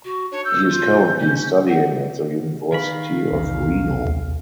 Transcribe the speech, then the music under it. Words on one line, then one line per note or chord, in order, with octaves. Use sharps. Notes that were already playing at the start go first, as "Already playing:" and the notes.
He is currently studying at the University of Reno.
F#4
D4 C#5
E6 G6
F4
C#4
F#5
D#3 F5 B5
B1 E2 C3
D#2